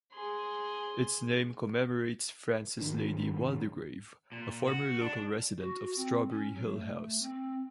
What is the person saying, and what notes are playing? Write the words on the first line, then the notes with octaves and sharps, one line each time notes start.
Its name commemorates Frances Lady Waldegrave, a former local resident of Strawberry Hill House.
G#4 C6
G#2 D#3 D4
A#2
F#4
D4
F#4
C4
C#4
F#3
A3
C4